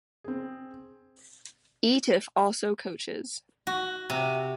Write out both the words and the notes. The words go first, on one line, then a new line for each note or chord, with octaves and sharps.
Eatough also coaches.
C4 G#4
F#4
C3